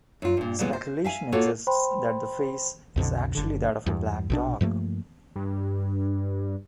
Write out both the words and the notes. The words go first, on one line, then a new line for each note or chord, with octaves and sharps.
Speculation exists that the face is actually that of a black dog.
F#2 F4
G2 A#2
A#2 C#3 E3 G3 G#3 B3
C5
E5 F5 G#5
A#3 F4 F#4 A4 C#5
C5 G5 B5 C6
B1 F2 B2 D3
F#1 D3
E2 G2
A#1 B2 D4
G2 F3 A3 A#3
G2